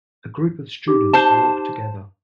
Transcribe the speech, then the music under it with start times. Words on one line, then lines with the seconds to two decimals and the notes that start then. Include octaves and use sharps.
A group of students walk together.
0.88 D#4 G4 D6
1.13 C5 A5